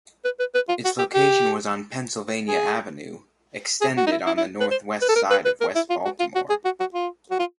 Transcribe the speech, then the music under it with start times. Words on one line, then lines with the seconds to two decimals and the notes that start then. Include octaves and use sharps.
Its location was on Pennsylvania Avenue "extended," on the northwest side of West Baltimore.
0.24 B4
0.40 B4
0.55 B4
0.69 F4
0.85 F#4
0.99 G4
1.14 G4
2.48 G#4
3.81 G#4
3.97 F#4
4.07 D#4
4.11 E4
4.26 E4
4.37 E4
4.60 B4
4.71 C5
5.02 B4
5.09 A4
5.16 A#4
5.31 B4
5.45 B4
5.61 A#4
5.75 E4
5.90 F4
6.05 F#4
6.20 F4
6.35 F#4
6.49 G#4
6.65 F#4
6.80 F#4
6.94 F4
7.31 F#4
7.39 F4